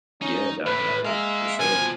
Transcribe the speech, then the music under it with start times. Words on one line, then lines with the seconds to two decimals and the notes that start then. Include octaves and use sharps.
Yeah, definitely, for sure.
0.22 C#4 D#4
0.66 A2 A3 B4
1.05 G#3 E5 F5 A#5
1.60 B2 F3 G#5